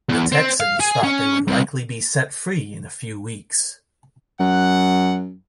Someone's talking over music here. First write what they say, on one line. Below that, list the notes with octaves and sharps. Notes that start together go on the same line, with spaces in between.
The Texans thought they would likely be set free in a few weeks.
E2
C4
F5
G#4
C#4
C2
F#2 F#5